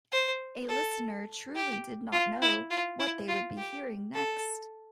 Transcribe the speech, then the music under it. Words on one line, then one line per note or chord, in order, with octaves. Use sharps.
A listener truly did not know what they would be hearing next.
C5
A4
G4
F4
E4
F4
E4
F4
G4
A4